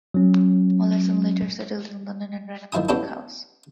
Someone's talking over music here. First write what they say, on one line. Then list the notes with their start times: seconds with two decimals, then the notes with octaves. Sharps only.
Mollison later settled in London and ran a public house.
0.14 F#3 C#4
2.72 D#3 F3 E4 G#5 D#6
2.89 B3 C#4 D4 E4 G4 A4